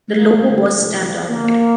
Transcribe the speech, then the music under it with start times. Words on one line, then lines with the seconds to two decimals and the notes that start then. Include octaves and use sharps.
The logo was stamped on it.
0.17 A#1 A#2 F3 A#3
0.45 G1 G2 D3
0.74 C2 A#2 F3
1.02 A#1 A#2 F3
1.29 F2 D3 F3 A#3